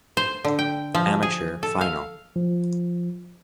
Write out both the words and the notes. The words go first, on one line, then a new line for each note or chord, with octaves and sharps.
Amateur final.
C5
D3
G5
F3
G#4
A4
F5
F3